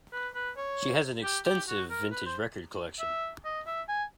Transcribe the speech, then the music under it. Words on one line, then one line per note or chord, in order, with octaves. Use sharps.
She has an extensive vintage record collection.
B4
B4
C#5
G4
G4
F#4
A#4
B4
C5
E5
D#5
E5
G#5